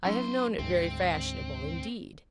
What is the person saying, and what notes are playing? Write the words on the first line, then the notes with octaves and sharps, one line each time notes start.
I have known it very fashionable indeed.
A2 F#3 C#4 D#4 C5
D2 G#2 C4